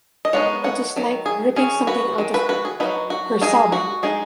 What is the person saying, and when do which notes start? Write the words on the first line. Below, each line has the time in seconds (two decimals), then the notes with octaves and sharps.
It was like ripping something out of her, her sobbing.
0.25 D#5
0.33 G#3 B3 D#4 C#5 F#5
0.64 C#5 F#5
0.96 D#3 F#3
1.26 G#4
1.56 F#3 C#4 G#4
1.87 F#4 B4
2.18 D#3 G#3
2.34 F#4 B4
2.49 F#4 B4
2.65 G#4
2.80 F#3 B3 D#4 F#4 B4
3.10 F#4
3.41 G#3 D#4 G#4
3.72 F#4
4.03 G#3 D#4 G#4